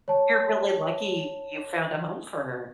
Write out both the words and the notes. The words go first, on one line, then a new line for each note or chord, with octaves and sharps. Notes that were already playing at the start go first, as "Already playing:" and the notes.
You're really lucky you found a home for her.
C#5 A5